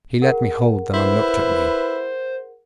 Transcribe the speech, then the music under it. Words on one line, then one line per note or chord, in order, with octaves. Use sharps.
He let me hold them and looked at me.
G#4 A#4 F#5
E4 B4 C5